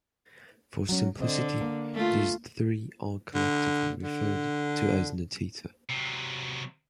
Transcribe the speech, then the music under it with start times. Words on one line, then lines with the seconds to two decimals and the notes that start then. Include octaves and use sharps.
For simplicity these three are collectively referred to as Notator.
0.89 F#3 C#4
1.20 D3 C4 D#5
1.61 A#3
1.94 A3 F4
3.34 D3
4.03 D3
5.90 C3 F#3